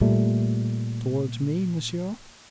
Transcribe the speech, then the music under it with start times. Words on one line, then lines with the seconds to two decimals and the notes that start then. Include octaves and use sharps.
"Towards me, monsieur?"
0.01 A#2 G3 A3